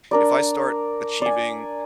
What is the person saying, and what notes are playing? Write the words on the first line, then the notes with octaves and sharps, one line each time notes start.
if I start achieving
D4 A#4 D5
D5 G#5